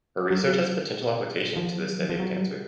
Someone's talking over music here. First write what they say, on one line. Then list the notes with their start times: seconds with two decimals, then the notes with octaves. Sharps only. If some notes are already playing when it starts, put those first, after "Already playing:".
Her research has potential applications to the study of cancer.
0.31 F#3
1.56 F3
1.78 F#3
1.98 F3
2.10 F3
2.20 F#3
2.41 G3